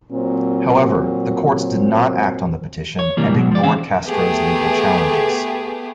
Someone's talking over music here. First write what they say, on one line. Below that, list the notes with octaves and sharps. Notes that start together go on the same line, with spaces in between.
However, the courts did not act on the petition and ignored Castro's legal challenges.
A#2 F#3 C4
C#5
C3 E3 G3 A#3
B2 F#3
F3 D5
D3 E3 C4 C#4 F5
A3 B3 G4 G#4